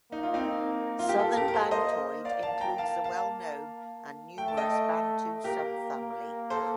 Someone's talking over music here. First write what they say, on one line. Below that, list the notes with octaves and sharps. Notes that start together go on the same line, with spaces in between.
Southern Bantoid includes the well known and numerous Bantu subfamily.
A#3 D#4
F4
C4 D#4
F4
G4
A#3 F4 A4
G4 A#4
A#4
A4 C5
C5 D#5
A#3 D5 F5
F5 A5
G5 A#5
F5 A5
F5 A5
A3 G5
A5
D#5 G5
A#3 G4 A#4
A#3
A4 C5